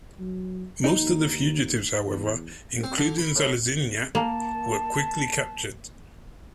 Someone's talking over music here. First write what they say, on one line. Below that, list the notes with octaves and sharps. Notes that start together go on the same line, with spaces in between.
Most of the fugitives however, including Zaliznyak, were quickly captured.
F#3
D#2 D#4
E2
C4
D3
B5
A2
A#3 A5